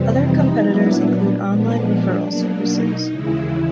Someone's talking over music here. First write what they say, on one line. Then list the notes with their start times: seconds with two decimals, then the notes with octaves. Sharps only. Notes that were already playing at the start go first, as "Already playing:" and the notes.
Other competitors include online referral services.
Already playing: F2 C3 E3 G3 C4
0.22 D#4
0.63 A#2 F#3 B3 D4 E4
1.46 A#2 F3 G#3 B3 D4
1.87 D4
2.28 B2 F#3 A#3
2.70 D#4
3.10 D#2 C#3 E3 G#3 E4